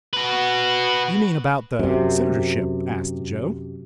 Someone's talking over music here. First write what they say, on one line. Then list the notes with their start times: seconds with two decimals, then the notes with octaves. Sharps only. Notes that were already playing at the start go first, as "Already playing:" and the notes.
"You mean about the senatorship?" asked Joe.
0.13 F#4 B4
1.79 F#2 C3